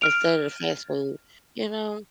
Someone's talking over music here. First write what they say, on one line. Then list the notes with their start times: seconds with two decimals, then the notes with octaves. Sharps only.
instead of fast food, you know?
0.01 F6 D7 F7